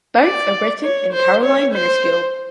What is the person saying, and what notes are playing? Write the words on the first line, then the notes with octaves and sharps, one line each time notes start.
Both are written in Caroline minuscule.
D5
C#5
C5
C#5
C5